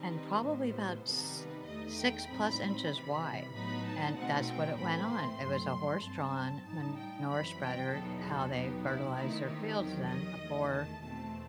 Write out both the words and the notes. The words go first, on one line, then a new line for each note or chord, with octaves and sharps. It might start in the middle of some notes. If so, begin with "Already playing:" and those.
and probably about s six plus inches wide, and that's what it went on. It was a horse-drawn manure spreader, how they fertilized their fields then before
Already playing: D#3 G3 C4 D#4
B4
A2 G3 B3 C5
C3 D#3 G3 B3 D#4 A4
B4
E2 D#3 A3 D#4 D#5
G5
A2 G3 C4 D#4 B5
C3 E3 G3
A2 F#3 B3 D#4 B5
A5
B2 A3 C4 D#4 F#5
G5
A2 E3 A3 C4 B5
C6
G2 F#3 A3
G2 F#3 C4 A5
A2 G3 D#4 A5
G5
F#2 E3 G3 C4 B5
G5
E2 B2 F#3 B3 D#4 A4
A4
B2 F#3 B3 D#4 G4
E4
D#3 A3 C4 D#4 E4
G4
E2 D#3 F#3
D#5
E2 D#3 A3
A5
E2 B2 A3 C4 A5